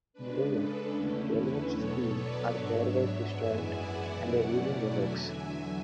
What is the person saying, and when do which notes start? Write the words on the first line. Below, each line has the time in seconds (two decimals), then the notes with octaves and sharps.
Moreover, the elements of "P" are pairwise disjoint and their union is "X".
0.13 C#3 G#3 D4 B4
0.54 A4
0.93 E2 D3 A3 C#4 E4
1.33 B4
1.74 B2 F#3 B3 A4 C#5
2.14 B4 D5
2.54 G#2 F#3 B3 D4 C#5 E5
3.33 F#2 E3 G#3 B3 E4 E5 G#5
3.73 D5 F#5
4.13 B2 F#3 A3 C#4 E4 D5 F#5
4.94 E2 D3 F#3 E5 G#5
5.34 E5 G#5